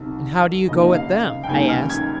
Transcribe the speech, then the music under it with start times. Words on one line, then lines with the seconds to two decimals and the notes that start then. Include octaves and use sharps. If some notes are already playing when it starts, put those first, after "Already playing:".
"And how do you go at them?" I asked.
Already playing: C2 C3 D#3
0.68 C#2 C3 D#3 A#3 D#5
0.95 F5
1.44 G5
1.48 C#2 C3 D#3 A#3 G#5
1.69 F6
1.90 G#6